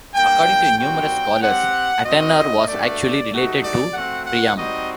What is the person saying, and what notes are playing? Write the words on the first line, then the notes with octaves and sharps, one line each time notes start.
According to numerous scholars, Antenor was actually related to Priam.
G3 A#3 D4 G5
G3 C4 F#4 G5
C4 G4 F#5
C4 D#4 F#4 D#5
A3 D4 F#4 D5
A3 D#4 F#4
D5
A3 C4 F#4 F#5
F#5
G3 C4 D#4 F#4 D#5